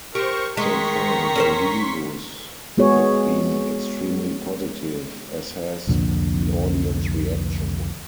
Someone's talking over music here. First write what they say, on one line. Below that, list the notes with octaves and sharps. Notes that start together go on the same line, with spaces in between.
So far the reviews have been extremely positive, as has the audience reaction.
G4 A#4 C5 C#6
D#3 G#3 A#5 C6 C#6 B6
C#4 A#4 C5
G#3 B3 F#4 G#4 C#5
C2 F2 A#2 D3